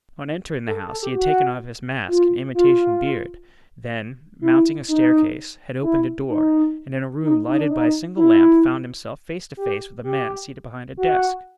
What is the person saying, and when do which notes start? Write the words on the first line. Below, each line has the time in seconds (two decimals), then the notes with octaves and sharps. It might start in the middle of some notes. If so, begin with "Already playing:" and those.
On entering the house he had taken off his mask and imitation beard, then, mounting a staircase, had opened a door, and in a room lighted by a single lamp found himself face to face with a man seated behind a desk.
0.67 A4
0.79 A4
0.91 A4
1.03 G4
1.14 F#4
2.08 F4
2.55 F4
4.41 E4
4.88 D#4
5.83 E4
6.29 D#4
7.23 D#4
7.46 D#4
7.58 D4
7.70 D#4
8.16 E4
9.57 G4
10.04 G4
10.97 F#4